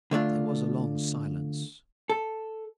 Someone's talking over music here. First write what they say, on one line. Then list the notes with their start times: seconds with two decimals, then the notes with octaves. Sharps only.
There was a long silence.
0.11 D3 A3 D4 F4
2.09 A4